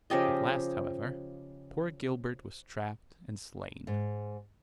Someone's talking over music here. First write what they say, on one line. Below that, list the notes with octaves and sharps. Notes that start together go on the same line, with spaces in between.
At last, however, poor Gilbert was trapped and slain.
C#3 F3 G4 D#5
G#2